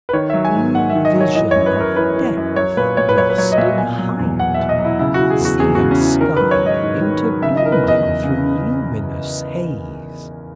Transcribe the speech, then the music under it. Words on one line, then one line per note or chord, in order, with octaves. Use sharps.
Blue vision of depth lost in height,--sea and sky interblending through luminous haze.
B4
D#3 C#5
F#3 E5
G#5
G#2
G#2 F#5
E5
D#3
D#5
F#3 C#5
E3 D#5
F#2 C#5
B4
F#2 A#4
E3 B4
E3
F#2
F#3 C#5
A#2 B4
A#2 C#5
B4
F#3 C#5
B4
F#3 C#5
D#5
A#2 E5
B2 G#5
F#3
E2
E2 F#5
B2 E5
D#5
F#3
E4
C#3 E4
F#4
E3
G#4
E2 F#4
E2 G#4
C#3 F#4
C#4
E3
D#3 A#4
F#3 B4
C#5
G#2 D#5
G#2
D#3
F#3
C#3 E5
D#5
E3 A#4
B4
E2
D#5
E2
C#3